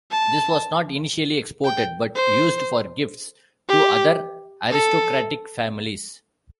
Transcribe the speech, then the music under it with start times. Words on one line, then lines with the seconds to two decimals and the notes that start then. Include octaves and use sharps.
This was not initially exported, but used for gifts to other aristocratic families.
0.11 A5
1.65 G5
2.15 C5
3.69 G4
4.71 A4